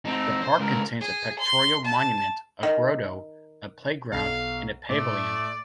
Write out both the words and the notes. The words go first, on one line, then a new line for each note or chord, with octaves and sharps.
The park contains a pictorial monument a Grotto, a playground and a Pavilion.
C4 D#4
C5
C#2 A#4
G#4
C6
A5
D#3
B1 F5
A2 A3 D5